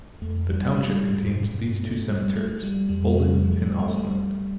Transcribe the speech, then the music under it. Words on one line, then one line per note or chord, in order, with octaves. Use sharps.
The township contains these two cemeteries: Holden and Ostlund.
F2 A3
G3
A3
G3
F2
G2
B2
A2
A2
G2
A3
G3
A3
G3
F2 G3
A3
G3
F3
A3
G3
A3
G3